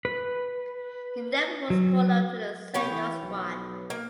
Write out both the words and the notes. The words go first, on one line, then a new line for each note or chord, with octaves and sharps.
He never was called up to the senior squad.
B4
F#3
C3 B3 C#5 G5
E3
B1
A#3